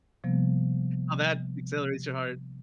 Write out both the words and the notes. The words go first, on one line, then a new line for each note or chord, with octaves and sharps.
how that accelerates your heart.
C3 F3 G3 A#3 B3